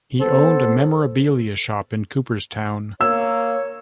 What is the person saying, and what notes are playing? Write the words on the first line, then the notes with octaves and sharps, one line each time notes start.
He owned a memorabilia shop in Cooperstown.
B3 A4 C5
A#3 C#5 E6